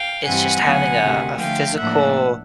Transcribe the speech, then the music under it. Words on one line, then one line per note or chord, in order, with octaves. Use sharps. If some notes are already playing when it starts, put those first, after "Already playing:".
is just having a a physical
Already playing: F5 G5
G2 E3 G3 C4 F#5 G#5
D2 D3 F#3 B3
D2 C3 D#3
D3 F3 A3 F5 G5
A2 F3 A#3 D4 E5 F#5